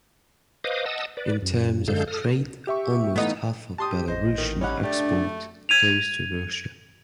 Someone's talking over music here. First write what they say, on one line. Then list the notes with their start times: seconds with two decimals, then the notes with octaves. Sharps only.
In terms of trade, almost half of Belarusian export goes to Russia.
0.64 B4 C5 D#5 F5 D6 D#6
0.86 D#5 F#5 A5 D#6 E6
1.17 B4 D5
1.42 F#2
1.88 F#2 D3 G#3 A4 F5 G6
2.07 A4 D#6 F6
2.67 G4 E5 C#6
3.16 E3 A3 B3 D#4
3.78 G4 A5 C6 D#6
4.08 A1 C5 D#5
4.37 A1 D#3
4.61 G3 C#4 D#4 F#5 B5
4.83 A3 D4 G4 D5
5.69 G#6 D#7 F7